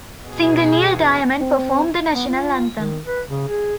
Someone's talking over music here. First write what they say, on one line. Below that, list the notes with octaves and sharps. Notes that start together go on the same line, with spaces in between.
Singer Neil Diamond performed the national anthem.
B2 G#4
E3
C4
B3
F4
D#3
B4
C#3
G#4